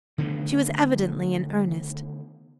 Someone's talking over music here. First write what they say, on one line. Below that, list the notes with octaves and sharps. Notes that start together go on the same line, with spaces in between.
She was evidently in earnest.
D3 D#3 A3 B3